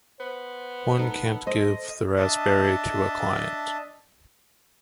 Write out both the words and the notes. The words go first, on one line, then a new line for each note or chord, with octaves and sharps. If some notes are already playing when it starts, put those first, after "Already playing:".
One can't give the raspberry to a client.
B3 C5
D#4 A4
C5 D#5
D4 D#5 E5 A5